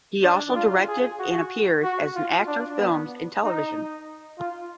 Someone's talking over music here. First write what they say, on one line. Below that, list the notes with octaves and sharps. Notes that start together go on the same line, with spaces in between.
He also directed and appeared as an actor films and television.
D4
F4
G#4
F#4
F#4
F4
D4
B3
D#4
F4